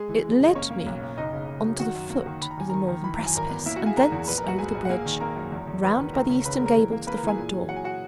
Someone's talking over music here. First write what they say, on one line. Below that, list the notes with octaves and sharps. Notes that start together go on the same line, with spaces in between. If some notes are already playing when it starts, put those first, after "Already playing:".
It led me on to the foot of the northern precipice, and thence over the bridge, round by the eastern gable to the front door.
Already playing: G#3 G#4
E3
G#3
F#1
D#5
A#3 C#4 C#5
A#3
B1
B1
F#1 D#4 D#5
C#3
F#1
F#3
D#3 F#4 F#5
F#2
A#3
D#3
D#3 B5
A#5
D#2 G#5
D#3 A#4 A#5
D#3
E3 B5
F#2 A#5
G#5
G#1 A#4 A#5
B3
A#3 E4 E5
A#3 F#4 F#5
G#4 G#5
E2 A#4 A#5
E2
A#1 B4 B5
A#4 A#5
A#1 F#4 F#5
G#2 G#4 G#5
A#1
F#5
A#3 G#4 G#5
D#3
A#3 A#4 A#5
F#2
E2
E2
E2 B4 B5
D#3
C#2 A#4 A#5
C#3
C#3 B4 B5
A#4 A#5
G#3
A#4 A#5
E3
A#3
A#3 B4 B5
A#4 A#5
E3 G#4 G#5
A#2
F#3
F#3 F#5
G#5
F#4 F#5